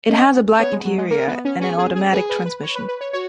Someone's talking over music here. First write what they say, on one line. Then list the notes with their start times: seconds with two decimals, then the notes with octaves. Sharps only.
It has a black interior, and an automatic transmission.
0.09 C#4 D#5
0.59 B3 C#5
0.72 G#3
0.85 F#3
0.98 G#3
1.10 A#3 A#4
1.28 B3
1.45 C#4
1.61 C#4 G#4
1.78 G#4
1.96 G#4
2.12 G#4 B4
2.29 B4
2.46 B4
2.63 C#5
2.75 B4
2.89 B4
3.01 C#5
3.13 F#4 C#5